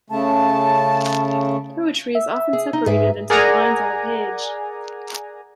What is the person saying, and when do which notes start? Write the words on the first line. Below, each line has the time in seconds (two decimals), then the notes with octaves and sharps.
Poetry is often separated into lines on a page.
0.10 C#3 A3 A5
2.15 E5
2.53 G#4
2.73 D#4
2.86 G#2 G#4 B4 E5
3.30 G#4 A#4 D5 F#5 G#5 A#5